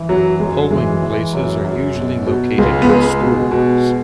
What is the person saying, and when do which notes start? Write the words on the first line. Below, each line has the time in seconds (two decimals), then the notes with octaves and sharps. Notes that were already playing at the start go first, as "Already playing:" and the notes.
Polling places are usually located in schools.
Already playing: E3
0.09 F#2 F#3
0.40 F#2 G#3
0.71 E3 G#3
1.02 E3
1.33 F#2
1.64 F#2
1.95 B2
2.27 B2
2.58 C#2 G#3
2.82 B3
2.89 C#2 G#3
3.20 B2
3.51 B2